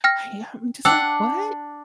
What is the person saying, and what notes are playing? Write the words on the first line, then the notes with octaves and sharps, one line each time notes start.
I am just like, "What?"
G5 F6 A#6
D4 F#5 G5 E6